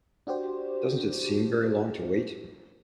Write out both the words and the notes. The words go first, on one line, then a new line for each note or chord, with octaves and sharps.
Doesn't it seem very long to wait?
D4 F#4 G4 C5